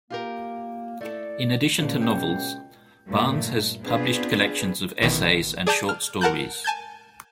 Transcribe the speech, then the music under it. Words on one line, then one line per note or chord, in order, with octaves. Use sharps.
In addition to novels, Barnes has published collections of essays and short stories.
A#3 F4 G4 A#4
A3 E4 A4 D5
C#2 A#2 F3
B2 A#3 C#4 G5
G2 A#2 A3
B3 C4 D4 F4 G#4 B4
A1 B2 D#3 E3
G#4 D5 A5 G6 G#6
F6
A#4 F#5 A5 F#6 G6
G#5 A5 G6 G#6